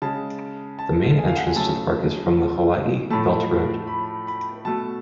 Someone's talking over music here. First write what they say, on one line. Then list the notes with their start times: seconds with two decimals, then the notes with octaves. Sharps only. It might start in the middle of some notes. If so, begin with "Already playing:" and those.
The main entrance to the park is from the Hawaii Belt Road.
0.02 C#3 G#3 A5
0.79 A5
1.18 G#5
1.28 F5
1.37 F#5
1.46 G#5
1.56 C#3 F#3 A3 A5
3.10 A2 F3 A3 A5
3.87 B5
4.27 B5
4.65 B2 A3 A5